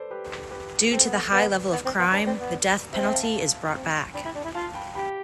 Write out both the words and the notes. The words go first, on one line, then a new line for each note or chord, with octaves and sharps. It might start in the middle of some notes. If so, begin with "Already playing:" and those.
Due to the high level of crime, the death penalty is brought back.
Already playing: A4 B4 C5 D5
G4 B4
G4 B4
C4 A4 C5
B3
B3 B4 D5
B3
C4
B3
D4 B4 D5
C4
B3
C4 C5 E5
E5 G5
F5 A5
F5 A5
C4
D4 G5 B5
E4
D4
E4
F4 F5 A5
G5 B5
G4 G5 B5